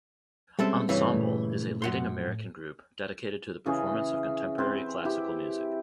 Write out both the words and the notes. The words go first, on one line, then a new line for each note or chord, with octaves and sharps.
Ensemble is a leading American group dedicated to the performance of contemporary classical music.
G3 G#3 C4 C#4 A4 E5
G2 C#3 E3
A#2 A3
F#2 F#5 C6
A2
C#3 E3 C#4 G#4
C4 B4
E4 G4